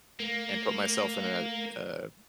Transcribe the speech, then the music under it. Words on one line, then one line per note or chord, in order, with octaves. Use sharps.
and put myself in a, uh,
A3 A#3 A#4